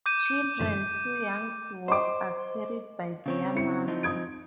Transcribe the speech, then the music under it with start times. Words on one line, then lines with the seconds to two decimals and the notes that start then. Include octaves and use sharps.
Children too young to walk are carried by their mother.
0.06 D6 G6 D#7
1.88 C5 D#5 C#6 D6
3.26 C#3 C4 C#5
3.55 E4 C#7
3.88 F3 C4 D#4
4.03 D#6 G#6 D7